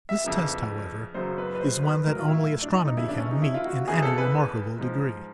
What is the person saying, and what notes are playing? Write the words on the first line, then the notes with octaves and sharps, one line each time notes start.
This test, however, is one that only astronomy can meet in any remarkable degree.
E5
F2 C#3 E3
F#2 C#3 F#3 C5
B4
B4
C5
B4
A2 F#3 A#4
F4
E4
D4
D#4
D#4
F2 C#3 E3 G3 E4
D4
C#4
D#4
E4
F4
F#4
E2 C#3 E3 G#4
A4
B4
G#2 F3